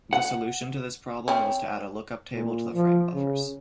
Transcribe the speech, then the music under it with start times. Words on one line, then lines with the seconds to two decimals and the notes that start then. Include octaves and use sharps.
The solution to this problem was to add a lookup table to the framebuffers.
0.13 F#5
1.28 C4 C#4
2.33 A#2
2.74 F3
3.13 C#3